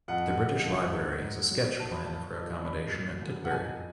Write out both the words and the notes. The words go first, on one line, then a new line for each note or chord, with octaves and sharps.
The British Library has a sketch plan of her accommodation at Tutbury.
F2 F#5
F2
F3
G#2
G#2
F#3
F2 A5
B5
F3 A5
F2
F#2 B5
F#3
F#2
F#5
F2 G#5